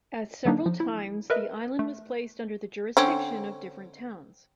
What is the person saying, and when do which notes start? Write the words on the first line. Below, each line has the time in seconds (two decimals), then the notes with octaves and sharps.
At several times the island was placed under the jurisdiction of different towns.
0.45 D3 F#3 A#3 D4 D#4
0.66 F3
0.80 E4
1.30 A#4 B4 D#5 E5
1.79 A3
2.97 D3 C4 C#4